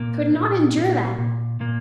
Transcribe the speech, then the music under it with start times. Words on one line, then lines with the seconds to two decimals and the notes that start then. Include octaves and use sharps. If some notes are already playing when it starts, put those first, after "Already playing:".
I could not endure that.
Already playing: A#2 A#3
0.34 A#2
0.76 A#2 A#3
1.18 A#2
1.60 A#2 A#3